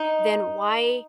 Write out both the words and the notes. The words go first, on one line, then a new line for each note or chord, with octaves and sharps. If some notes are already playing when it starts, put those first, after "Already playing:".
then why
Already playing: D#4